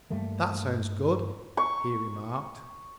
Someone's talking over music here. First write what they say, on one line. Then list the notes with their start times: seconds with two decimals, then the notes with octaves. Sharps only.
"That sounds good," he remarked.
0.10 G2 G3 A3 A#3
1.57 C#6